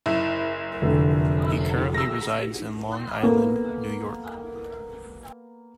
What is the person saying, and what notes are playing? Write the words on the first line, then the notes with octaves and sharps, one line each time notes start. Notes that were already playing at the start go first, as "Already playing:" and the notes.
He currently resides in Long Island, New York.
F#1 E4
F1 D3
E6 A#6
A#3 B3 A4